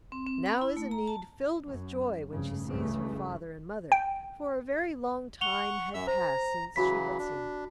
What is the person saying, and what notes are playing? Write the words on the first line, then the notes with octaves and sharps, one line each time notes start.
Now is Enide filled with joy when she sees her father and mother, for a very long time had passed since she had seen them.
C4
C4
B5
E4
A3
A#5
A5
F#2
F1 G2 C#3
C#2 G2 C#3 E3 A3
G5
F#5 C#6 F7 G7
F#2 E5 E6
C5 A#5
C#3 E3 F#3 F#4 B5 B6
D4